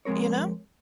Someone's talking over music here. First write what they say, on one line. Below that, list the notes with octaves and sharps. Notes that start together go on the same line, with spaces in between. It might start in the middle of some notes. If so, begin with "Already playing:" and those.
you know?
F2 G#3 C4 A#4 C#5